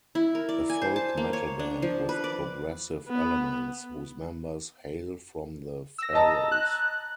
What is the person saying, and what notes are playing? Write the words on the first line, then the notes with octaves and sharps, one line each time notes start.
A folk metal band with progressive elements, whose members hail from the Faroes.
E4
A#4
D5
G#5
C5
A5
A#3
C#5
D4
F3
B4
D5
B3
E6 A#6
D#5 A5 A#5
F#6